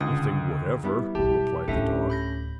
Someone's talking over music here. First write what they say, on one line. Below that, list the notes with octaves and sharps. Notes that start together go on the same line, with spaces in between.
"Nothing whatever," replied the dog.
C#2 D3 D#6
G3 B3 E4
B1 F#3 G4 A5
D1 C#4 D4 E4 A4 E5
B5 G6 A#6